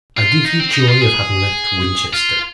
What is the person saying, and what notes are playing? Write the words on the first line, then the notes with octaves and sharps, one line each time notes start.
I give you joy of having left Winchester.
F4
D#4
C4
D#4
F4
G#4
F4